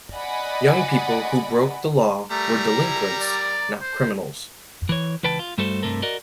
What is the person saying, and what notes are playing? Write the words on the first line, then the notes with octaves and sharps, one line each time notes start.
Young people who broke the law were "delinquents," not criminals.
D5 D#5 F#5 G#5 B5
G3 A3 A#4 A#5
E4
D5
C5
E3 C#5
C#2 E3 B4 G5 A5
F4
G2 G3 A3 F#4 A4 C5
C2 G2 C3 A3 A4 A#4
F#4 A#4 D5 D#5